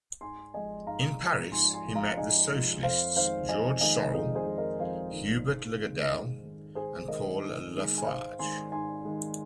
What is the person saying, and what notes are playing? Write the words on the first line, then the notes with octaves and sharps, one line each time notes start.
In Paris he met the socialists Georges Sorel, Hubert Lagardelle and Paul Lafargue.
G#2 G#5 C6
F3 G#3 D#5 G#5
G#2 F5 A#5
F3 G#3
G#2 G#5 C6
G#5 C6
F3 G#3
F5 A#5
A#5
G#2 D#5 G#5
F3 G#3
F2 C5 F5
D#3 G#3 C5 F5
F2 D#5 G#5
D#3 G#3 D#5 G#5
F2 D#4 G#4
G#4 C5
D#3 G#3
A#4 D#5
F2 C5 F5
D#3 G#3
G#2
D#3 G#3
G#2
D#3 G#3
G#2 G#4 C5
D#3 G#3 A#4 D#5
G#2
D#3 G#3
G#5
G#2 C5 F5
D#3 G#3 G#5 C6
G#2 G#5 C6
D#3 G#3